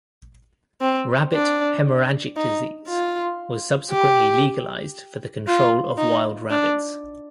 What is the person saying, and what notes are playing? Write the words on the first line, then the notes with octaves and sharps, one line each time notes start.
Rabbit hemorrhagic disease was subsequently legalised for the control of wild rabbits.
C4
D4
D#4
F4
G4
F4
D#4
D4